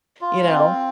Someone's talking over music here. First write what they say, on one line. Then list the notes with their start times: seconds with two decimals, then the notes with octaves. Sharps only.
you know?
0.21 F4
0.49 C4